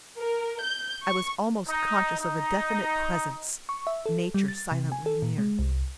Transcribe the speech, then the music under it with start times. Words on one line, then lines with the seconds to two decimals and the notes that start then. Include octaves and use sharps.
I was almost conscious of a definite presence, Nature silently near.
0.19 A#4
0.62 G6
1.04 C#6
1.68 D#4
2.20 D#4
3.69 C#6
3.87 E5
4.06 A4
4.34 G3
4.48 A6
4.72 C3
4.92 G#5
5.06 A4
5.22 A#2
5.38 G#3
5.59 C2